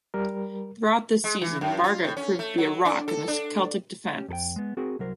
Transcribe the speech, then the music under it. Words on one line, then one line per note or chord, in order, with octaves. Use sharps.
Throughout this season Varga proved to be a rock in the Celtic defence.
G3 A#4
G#3
E3
F#2
F4
A2
C#4
A3
F#3
D4
A4
D4
C#4 G4
F2 A4 G5
G#3 B3
C4 F#4 G#4 A#4
C2 F#3 A#4 C5